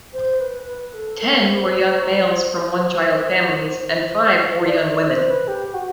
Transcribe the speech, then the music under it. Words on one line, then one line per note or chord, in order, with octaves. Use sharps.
Ten were young males from one-child families and five were young women.
C5
B4
B4
A4
A#4
C5
D5
C5
B4
G4
F#4